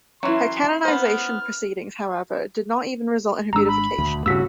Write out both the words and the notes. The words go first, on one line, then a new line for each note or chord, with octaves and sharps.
Her canonization proceedings, however, did not even result in her beatification.
E3 F#3 C#4 E4 C6
B3 C5 F6
G#1 G#3 D4 A#5 E6
B5
D#1 D2 A3
G2 C#3 F#4 E6 B6